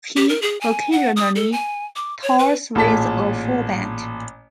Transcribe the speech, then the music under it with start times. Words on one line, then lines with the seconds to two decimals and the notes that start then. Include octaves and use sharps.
He occasionally tours with a full band.
0.17 G4
0.29 A#4
0.42 G#4
0.61 G#5
0.92 F#5
1.16 D#6
1.36 A4
1.52 G#5
1.96 D6
2.22 C#5
2.39 B4
2.75 A1 A#2 G#4 A5 B6